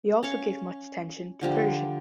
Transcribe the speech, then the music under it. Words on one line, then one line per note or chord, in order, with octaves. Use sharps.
He also gave much attention to Persian.
C#4 C#5 F5 C#6
D3 F3 G3 D4